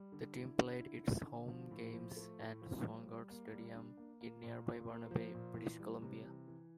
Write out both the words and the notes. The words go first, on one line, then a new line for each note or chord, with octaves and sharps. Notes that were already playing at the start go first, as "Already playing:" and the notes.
The team played its home games at Swangard Stadium in nearby Burnaby, British Columbia.
Already playing: G3
D3
E4
D3
E4
D3
D3
F3
A2
F3
A3
A2
F3
G3
G3
A#3
G3
D4
A#3
A#3
A#2
A#2
A#3
F3
A#2
E3
G3
C3
E3
E3